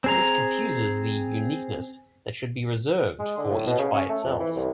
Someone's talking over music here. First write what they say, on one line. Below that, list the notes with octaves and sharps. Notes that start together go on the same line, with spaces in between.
This confuses the uniqueness that should be reserved for each by itself.
C4 G#4 A#5
G#3
D3
A2
B2
C#3
C#4
A3
F2
E3
C2